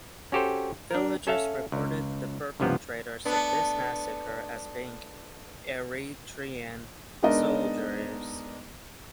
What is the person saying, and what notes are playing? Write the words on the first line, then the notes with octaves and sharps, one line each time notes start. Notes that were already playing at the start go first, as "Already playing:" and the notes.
Villagers reported the perpetrators of this massacre as being Eritrean soldiers.
C#4 F#4 G4 A4 C5
D4 A#4
C#4 A4 E5 F5 A5
C#2
C#2 G2 C3 F3 B3
A3 B3 D4
G#3 B3 D4 D#4 A#4 D#5